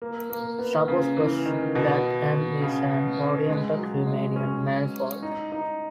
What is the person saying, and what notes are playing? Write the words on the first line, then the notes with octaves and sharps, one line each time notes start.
Suppose first that "M" is an oriented Riemannian manifold.
A#3
A#3
B3
C#3
E3
D#3
B2
C#3
G#3
F#3
G#3
C#4
D#4
D#4